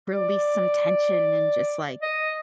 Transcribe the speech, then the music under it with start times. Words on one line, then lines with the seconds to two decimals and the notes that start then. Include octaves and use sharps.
release some tension and just, like,
0.13 D5
2.02 D#5